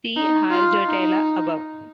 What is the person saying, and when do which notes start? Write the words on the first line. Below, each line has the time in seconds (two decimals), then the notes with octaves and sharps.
See harjoitella above.
0.16 D#4
0.51 F4
0.86 D#4